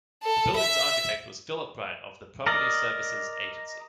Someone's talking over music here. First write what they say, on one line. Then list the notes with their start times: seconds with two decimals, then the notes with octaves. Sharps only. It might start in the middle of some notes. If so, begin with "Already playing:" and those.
The building's architect was Philip Bright of the Property Services Agency.
0.24 A4
0.56 E5
2.46 A#4 D5 D#5